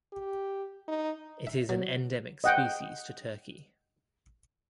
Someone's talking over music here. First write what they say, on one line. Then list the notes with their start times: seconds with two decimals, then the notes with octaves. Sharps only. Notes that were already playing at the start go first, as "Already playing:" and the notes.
Its is an endemic species to Turkey.
0.13 G4
0.88 D#4
1.47 E5
1.69 F#3
2.44 D#5 F#5 G5